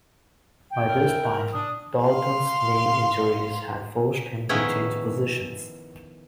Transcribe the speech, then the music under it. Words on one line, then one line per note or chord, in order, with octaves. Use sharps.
By this time, Daulton's knee injuries had forced him to change positions.
G5
E3 E4 A#4
D4 D#6
F5 C6
D#3 F3 B3 C#4 E4 G#4